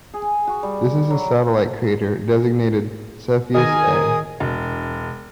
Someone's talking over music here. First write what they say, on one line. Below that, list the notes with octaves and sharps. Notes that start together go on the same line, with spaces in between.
This is a satellite crater designated Cepheus A.
G#4
F#4
G3
F#3
D#3 G#4 A#4 D#5 G#5 D#6
E1